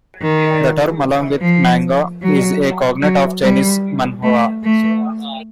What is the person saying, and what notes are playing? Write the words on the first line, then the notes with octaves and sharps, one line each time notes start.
The term, along with manga, is a cognate of the Chinese manhua.
D#3
F3
F#3
F#3
G3
A3
A3